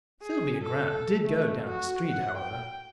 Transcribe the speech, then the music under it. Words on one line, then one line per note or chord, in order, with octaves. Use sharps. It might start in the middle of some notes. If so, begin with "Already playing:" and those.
Sylvia Grant did go down the street, however.
G#4
A4
A3
F#4
F#5
G5